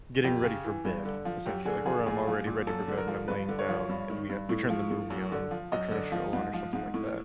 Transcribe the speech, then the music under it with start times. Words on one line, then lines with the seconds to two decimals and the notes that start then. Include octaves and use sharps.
getting ready for bed, essentially, like, or I'm already ready for bed and I'm laying down and we, uh we turn the movie on, or turn a show on or something like that.
0.24 F2 G4
0.44 C#3
0.64 E3
0.85 G2
1.05 D3
1.25 F3
1.46 F#2 G4
1.65 D3 G#4
1.86 F3 G#4
2.06 A#2 G#4
2.27 F3
2.46 A#2
2.67 F#2 A4
2.88 D3
2.97 A#4
3.08 F3
3.28 G2 B4
3.48 D3
3.59 C#5
3.69 F3
3.89 G2
4.10 D#3
4.29 G2
4.49 A2
4.70 F3
4.91 A2
5.10 F#2
5.32 D3
5.51 F3
5.72 F#2 D#5
5.91 D3
6.12 F3
6.33 G#2
6.53 F3
6.73 G#2
6.94 A2